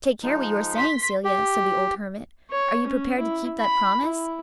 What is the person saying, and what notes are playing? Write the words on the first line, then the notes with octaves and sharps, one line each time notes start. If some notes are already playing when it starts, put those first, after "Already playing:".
"Take care what you are saying, Celia," said the old hermit; "are you prepared to keep that promise?"
F3 G#3 D#4
C6 B6
G4
C#5
C#4
E4
B5
E4